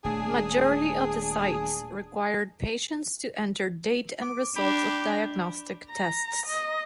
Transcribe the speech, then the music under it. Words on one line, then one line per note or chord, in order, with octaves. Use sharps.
Majority of the sites required patients to enter date and results of diagnostic tests.
D#1 A3 D4 G#4
D6
D4 G4 B5
A#5
D#5